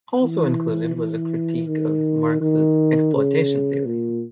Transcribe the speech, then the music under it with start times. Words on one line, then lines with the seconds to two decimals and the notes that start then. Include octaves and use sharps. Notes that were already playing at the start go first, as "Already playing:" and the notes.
Also included was a critique of Marx's exploitation theory.
0.22 E3
0.95 E3
1.68 D#3
2.41 D#3
3.13 C#3
3.86 A#2